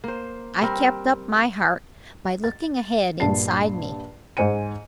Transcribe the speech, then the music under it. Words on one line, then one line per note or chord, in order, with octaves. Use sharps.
I kept up my heart by looking ahead inside me.
A#3 C5
G3 C4 A#4
A6
A#1 G2 A5 C7
G#2 C5 G#5 C#7 D#7